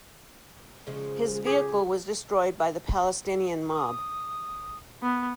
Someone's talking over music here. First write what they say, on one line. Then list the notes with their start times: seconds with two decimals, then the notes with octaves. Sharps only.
His vehicle was destroyed by the Palestinian mob.
0.87 C#3 F3 G#3
1.46 G4 G#4
3.72 D#6
5.03 B3